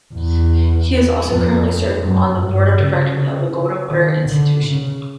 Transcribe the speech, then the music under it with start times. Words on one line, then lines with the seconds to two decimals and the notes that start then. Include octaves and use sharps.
He is also currently serving on the Board of Directors of the Goldwater Institute.
0.14 E2
1.27 F2
2.02 F#2
2.40 G2
2.78 C#3
3.90 D#3
4.28 D3
4.65 C#3